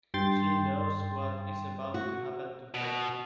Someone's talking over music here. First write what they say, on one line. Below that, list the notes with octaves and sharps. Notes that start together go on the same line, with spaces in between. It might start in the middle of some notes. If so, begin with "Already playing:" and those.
She knows what is about to happen to her.
G2 G5 C6 A6
F#4
B2